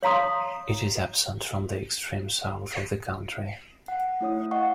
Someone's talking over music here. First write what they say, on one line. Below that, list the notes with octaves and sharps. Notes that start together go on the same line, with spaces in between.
It is absent from the extreme south of the country.
C#5 F5 A#5 C6 D#6
F#5
A3 E4 C#5 D#6
D#5 F5 F#5 C#6 D#6